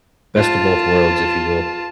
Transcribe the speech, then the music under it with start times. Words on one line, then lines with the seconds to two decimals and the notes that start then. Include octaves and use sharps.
Best of both worlds, if you will.
0.36 F4 A5